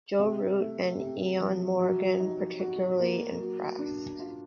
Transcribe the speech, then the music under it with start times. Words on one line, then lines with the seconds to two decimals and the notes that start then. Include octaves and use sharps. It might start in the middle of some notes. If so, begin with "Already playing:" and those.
Joe Root and Eoin Morgan particularly impressed.
0.19 C3
0.60 A3
1.00 C3
1.40 F3
1.80 F#3
2.20 D#4
2.60 F#4
3.00 A#3
3.40 F#3
3.79 D4
4.19 F4